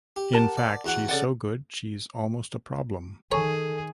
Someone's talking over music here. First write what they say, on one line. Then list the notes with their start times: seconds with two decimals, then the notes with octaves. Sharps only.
In fact, she's so good she's almost a problem.
0.16 G4
0.33 A#4 F#5 A5
0.57 D5
0.85 E2 F#4 F#5
1.09 C#3 A4 D5 F#5 A5
3.32 D#3 G#4 A4 C#5 G#5 A#5